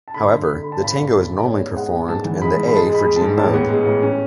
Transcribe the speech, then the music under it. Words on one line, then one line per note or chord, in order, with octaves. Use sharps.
However, the tango is normally performed in the A Phrygian mode.
A5
D3 B5
D3
D3
D3 B5
A5
G#1 B5
G#1
D3
D3
D5
B3 C#5
G#2
G#3 F#5
B3
G#2 A5
E3
G#3 B5
G#2
B5
G#3 A5
G#3
B5
G#3
A5
G#2
A1 A5
B3
G#3
A1
C#4